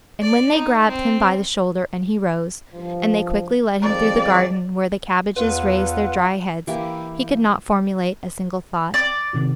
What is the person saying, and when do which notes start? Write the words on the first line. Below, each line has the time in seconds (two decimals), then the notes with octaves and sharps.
And when they grabbed him by the shoulder and he rose, and they quickly led him through the garden where the cabbages raised their dry heads, he could not formulate a single thought.
0.22 D5
0.55 D#4
0.88 C4
2.74 G2 F3
3.83 G#1 F2 D5
5.36 E2 F4 B4 F#5
6.67 E3 A#3 E4 G4
8.94 D5
9.33 C3 D#3 F#4